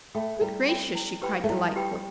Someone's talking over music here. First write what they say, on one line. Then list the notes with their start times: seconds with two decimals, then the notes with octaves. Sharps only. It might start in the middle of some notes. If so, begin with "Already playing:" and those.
"Good gracious!" she cried, delightedly.
0.15 A3 A4 G5 B5
0.41 G3 E4
0.68 A4 G5 B5
0.95 E4
1.22 G4 B4 G5 B5
1.44 A3
1.49 G3 E4
1.76 G4 B4 G5 B5